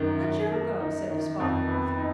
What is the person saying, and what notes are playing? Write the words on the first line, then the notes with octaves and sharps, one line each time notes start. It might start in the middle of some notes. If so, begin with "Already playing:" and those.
"Let Joe go," said-his father, laughing.
Already playing: F#2 D#3
F#2
A#3
D#4
D#3
F2
B3
D#4